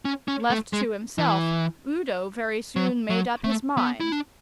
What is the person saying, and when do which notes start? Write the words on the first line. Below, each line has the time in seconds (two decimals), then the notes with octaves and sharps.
Left to himself Udo very soon made up his mind.
0.05 C#4
0.28 C#4
0.50 A3
0.73 G#3
1.18 E3
2.76 F#3
3.10 F#3
3.44 A3
3.78 B3
4.00 E4
4.12 D4